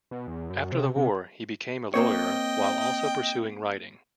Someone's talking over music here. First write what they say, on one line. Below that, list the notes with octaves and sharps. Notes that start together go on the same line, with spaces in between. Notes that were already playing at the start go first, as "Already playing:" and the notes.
After the war he became a lawyer while also pursuing writing.
B2
E2
F#2
C3
C3
A#3 C4 C#5 D#5 G5